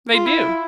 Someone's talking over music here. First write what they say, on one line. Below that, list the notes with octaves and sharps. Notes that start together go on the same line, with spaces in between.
They do.
F4
E4